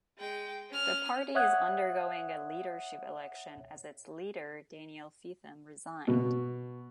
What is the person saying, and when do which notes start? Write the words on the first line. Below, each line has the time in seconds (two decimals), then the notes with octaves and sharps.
The party is undergoing a leadership election as its leader, Daniel Feetham resigned.
0.18 G#3 G5
0.70 C#4 F6
1.35 C#5 E5 F#5 D#6 F#6 G#6
6.08 B2